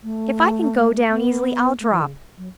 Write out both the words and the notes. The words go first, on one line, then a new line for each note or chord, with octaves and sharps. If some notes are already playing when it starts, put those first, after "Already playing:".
If I can go down easily, I'll drop.
A3
B3
A3
E3
C#3
F#3